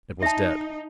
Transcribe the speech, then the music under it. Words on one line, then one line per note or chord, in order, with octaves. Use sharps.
It was dead.
D#4 E5 A5